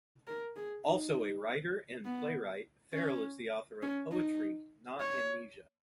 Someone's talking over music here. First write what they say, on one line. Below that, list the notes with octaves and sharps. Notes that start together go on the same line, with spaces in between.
Also a writer and playwright, Farrell is the author of "Poetry Not Amnesia".
A#4
G#4
D#4
B3
C#4
C#4
D#4
C#5